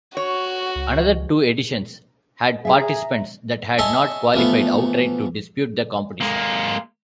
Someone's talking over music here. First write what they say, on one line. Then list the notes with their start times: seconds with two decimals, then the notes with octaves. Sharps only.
Another two editions had participants that had not qualified outright to dispute the competition.
0.17 F#4 C#5
0.76 C#2
2.65 G#4 E5 F5 A#5
3.78 C#5 D#5 E5 G#5 A5 C6
4.34 E3 F3 A3 B3
6.21 G#3 A#3